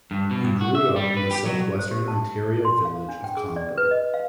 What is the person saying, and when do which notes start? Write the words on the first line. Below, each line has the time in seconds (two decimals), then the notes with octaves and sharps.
He grew up in the southwestern Ontario village of Comber.
0.11 G2
0.31 B2
0.44 G2
0.61 F#4
0.75 E5
0.96 G3
1.17 B4
1.31 G4
1.45 F#3
1.79 C5
1.91 G4
2.08 A5
2.65 C6
2.85 F5
3.08 D4
3.24 G5
3.37 G#4
3.56 D5
3.78 B4
3.91 D#5
4.14 F5